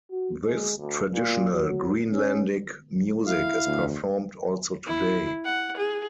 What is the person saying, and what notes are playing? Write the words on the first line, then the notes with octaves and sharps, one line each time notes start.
This traditional Greenlandic music is performed also today.
F#4
G#3
D2
A#2
F#3
C#4
E4 F5
D2
E4
F#5
G#4